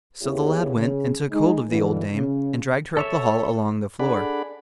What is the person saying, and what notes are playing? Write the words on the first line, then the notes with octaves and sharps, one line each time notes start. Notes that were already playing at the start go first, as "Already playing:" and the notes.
So the lad went and took hold of the old dame; and dragged her up the hall along the floor.
D#2 B3 E4 G4 G#4 C#5
C#3
G#3 D#4
G2 B2 D3 E3
C#3
A4 C#5 E5
D4 G#4 A4 D5 F#5 B5